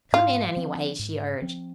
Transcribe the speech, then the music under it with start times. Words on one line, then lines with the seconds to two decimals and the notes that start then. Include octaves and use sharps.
"Come in, anyway," she urged.
0.13 G#2 F4
0.56 F3 C4
0.99 G#2
1.42 F3 C4